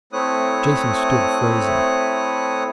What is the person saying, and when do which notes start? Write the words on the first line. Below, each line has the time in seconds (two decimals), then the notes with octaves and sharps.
Jason stood, frozen.
0.13 A3 C4 E4 C#5 D#6 F#6